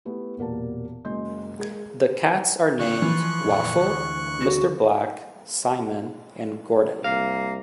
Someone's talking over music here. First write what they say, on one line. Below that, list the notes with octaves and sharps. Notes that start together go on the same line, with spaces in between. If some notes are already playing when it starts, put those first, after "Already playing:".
The cats are named Waffle, Mr. Black, Simon, and Gordon.
A3 B3 E4 G4
E1 A#2 A#3 G4 A5
F#1 F#2 G#3 D#5 C6 G6
G#3 G#4 A#4 G#6
D3 C4 C#6 F#6
E3 F3
F2 A#2
D2
F#4
C2 A#3 F5